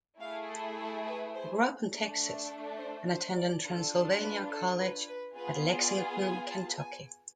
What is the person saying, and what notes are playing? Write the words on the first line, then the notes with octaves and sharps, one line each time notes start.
He grew up in Texas and attended Transylvania College at Lexington, Kentucky.
A3 E4 G#4 F5
A4
A4
B4
C5
A3 D4 A4
C5
C5
D5
D4 F4 A4 B4
A4
B4
A4
B4
B4
B3 F4 G#4 B4
D5
G#5
A5
G#5